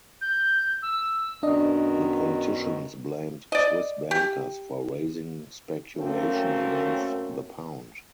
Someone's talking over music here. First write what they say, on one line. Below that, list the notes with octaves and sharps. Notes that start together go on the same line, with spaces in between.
The politicians blamed Swiss bankers for raising speculation against the pound.
G6
E6
F#2 B2 D#3 D4 D#5
D5 D#5
G4
F#2 F#3 A3 A#3 C4 C#4